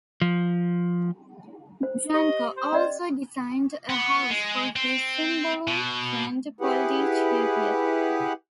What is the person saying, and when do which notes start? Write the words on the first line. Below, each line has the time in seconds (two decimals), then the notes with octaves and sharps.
Janco also designed a house for his "Simbolul" friend Poldi Chapier.
0.22 F3
1.83 C5
2.14 G4 D#5
2.57 C5
2.73 C#4 D5 D#5
3.90 B3
4.30 G#3
4.76 C4
5.67 B2
6.61 E4 G4 G#4 B4 F#5